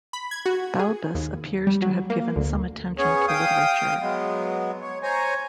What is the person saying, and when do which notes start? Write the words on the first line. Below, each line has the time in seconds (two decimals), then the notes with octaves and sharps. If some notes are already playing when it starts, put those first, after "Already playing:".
Balbus appears to have given some attention to literature.
0.13 B5
0.31 G#6
0.46 F#4
0.79 G#4
1.15 D#2
1.67 G3
1.82 F#3
2.10 A#3
2.36 D2
2.98 B3 C#4 G#4 C#5
3.28 F5 G5 D#6
4.01 F#3 G#3 B3
4.81 C#5
5.03 C5 C#5 G#5 A#5